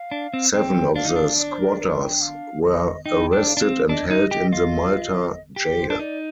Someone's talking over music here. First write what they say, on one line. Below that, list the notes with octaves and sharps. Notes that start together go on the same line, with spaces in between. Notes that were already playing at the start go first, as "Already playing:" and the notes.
Seven of the squatters were arrested and held in the Malta jail.
Already playing: F5
D4
C4
C4 G5
D4 F5
D#4
D4
D5
C5
A#4
A#4
G5
F5
D#5
D#4 G5
D4
F5
D4
C4
D4 D#5
D#4
G4
F4
G4
C5
D4
D#4 D5